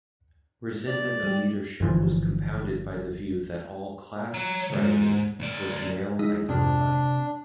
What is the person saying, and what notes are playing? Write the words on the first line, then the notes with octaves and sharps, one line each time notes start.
Resentment of leadership was compounded by the view that all "class striving" was "male-identified".
D5
G3 G4
G1 E3 F3
C#5 A#5
D2 G#2
A2 D5
G#3 D#4 E4 D#5
F2 G#2 C3 D4